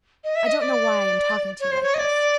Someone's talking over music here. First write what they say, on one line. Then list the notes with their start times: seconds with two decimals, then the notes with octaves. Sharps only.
"I don't know why I am talking to you like this."
0.24 D#5
0.35 E5
0.47 D#5
0.58 D#5
0.62 D5
1.60 C#5
1.72 C5
1.83 C#5
1.94 D#5
1.99 D5